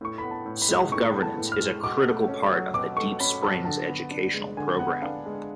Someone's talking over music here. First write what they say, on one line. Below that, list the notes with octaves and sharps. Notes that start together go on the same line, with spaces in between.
Self-governance is a critical part of the Deep Springs educational program.
A2 C#6
B5
B3
A5
A2
B5
G#3
A2 C#6
B3
A5
A2
F6
G#3
B2 D6
A3
C#4
F#3
B2 D6
A3 C#6
C#4 B5
F#3 A5
D3 A5
B3
D4
G#3
D3 G#5
B3 F#5
D4 F5
G#3